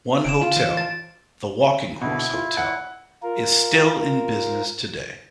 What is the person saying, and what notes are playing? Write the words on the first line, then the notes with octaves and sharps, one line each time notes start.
One hotel, the Walking Horse Hotel, is still in business today.
E1 D7 E7
D3 F4
E3 C5
A5 A6
B2 D3 E4
F4
F#5
F4 A#4